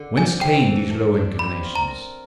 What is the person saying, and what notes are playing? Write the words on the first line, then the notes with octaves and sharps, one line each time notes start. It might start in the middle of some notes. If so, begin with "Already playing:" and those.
Whence came these low inclinations?
Already playing: D3
F3 G#5
A3 G5
E3
A3
D4
C4 B5
F4
A#5
A#4